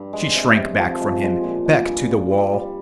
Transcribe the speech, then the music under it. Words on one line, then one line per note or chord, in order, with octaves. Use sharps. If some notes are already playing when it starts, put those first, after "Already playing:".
She shrank back from him, back to the wall.
Already playing: G2
G#3
C3
C3
F3
G#3
G#3
A#2
G#3
G2
F4
G3
G3